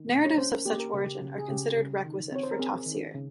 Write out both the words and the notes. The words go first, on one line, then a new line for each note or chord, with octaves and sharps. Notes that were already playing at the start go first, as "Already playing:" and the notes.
Narratives of such origin are considered requisite for tafsir.
Already playing: D#3
A#3
C#5
C#4 C5
A#4
A#3 G4
A#4
C#3 G4
C#3
G#4
C#3 G4
C#3
D#3
C4 C#5
C5
A#4
C4 G#4
D#3
C#3